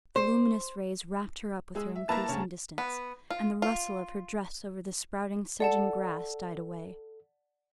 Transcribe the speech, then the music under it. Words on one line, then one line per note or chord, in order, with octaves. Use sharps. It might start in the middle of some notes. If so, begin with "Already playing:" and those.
The luminous rays wrapped her up with her increasing distance, and the rustle of her dress over the sprouting sedge and grass died away.
C5
G#3 G#4 E6
E5
A#3 E4 B4 A5 A#5
D2 C#3 C#4
B3
F4
F4
A4 D5 F#5 A5